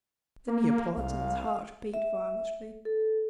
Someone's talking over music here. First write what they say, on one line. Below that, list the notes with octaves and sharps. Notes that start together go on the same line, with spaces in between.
The Neapolitan's heart beat violently.
A#3
C2 F5
E5
A4